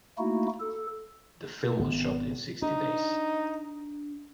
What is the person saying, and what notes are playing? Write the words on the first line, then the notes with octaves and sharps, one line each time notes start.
The film was shot in sixty days.
A3 A#3 D#4 E4 F#4
A4
G#1 B3
D4 D#4